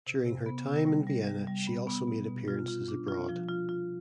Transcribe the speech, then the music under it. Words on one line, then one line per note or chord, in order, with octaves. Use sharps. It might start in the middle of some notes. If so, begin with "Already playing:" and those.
During her time in Vienna she also made appearances abroad.
C3
C3
B3
C3
G3
G3
G3
G3
B3
B3
B2
B2
F4
F4
D4
F4
F3
F4
F4